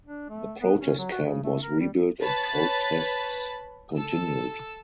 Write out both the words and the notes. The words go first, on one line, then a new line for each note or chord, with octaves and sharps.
The protest camp was rebuilt and protests continued.
D4
A3
B3
C#4
F#3
F#4
C#3
A3
A#4
G3
B4 C#5 A5 B5 A6
A4 E6